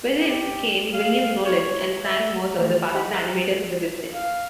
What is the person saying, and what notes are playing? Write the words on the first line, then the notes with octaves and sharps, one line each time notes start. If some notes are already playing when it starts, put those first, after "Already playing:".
With him came William Nolan and Frank Moser, the fastest animators in the business.
G4
F5
C#5
E5
E3 A3 G4
D#4 G4 F#5 B5
G5 A#5 E6 F#6 A6
F5